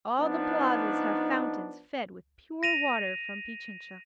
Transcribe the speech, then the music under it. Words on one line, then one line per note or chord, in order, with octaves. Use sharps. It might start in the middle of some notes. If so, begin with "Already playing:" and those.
All the plazas have fountains fed with pure water from Pichincha.
F3 B3 D4 D#4
A#6 D#7 F7